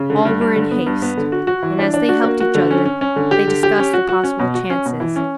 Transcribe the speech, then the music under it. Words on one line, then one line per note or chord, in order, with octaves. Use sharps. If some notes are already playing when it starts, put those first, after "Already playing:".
All were in haste; and as they helped each other, they discussed the possible chances.
Already playing: C#3
D3
G2
G2
D3
B3
G2
B3
D3
F#4
F#4
E3
D4
D4
F#4
A#3
F#4
D3
C#4
C#4
C#4
D3
G4
D3
G4
C#4
F#4
F#4
C#4
B2
F#4
C#4
B2
E3
C#4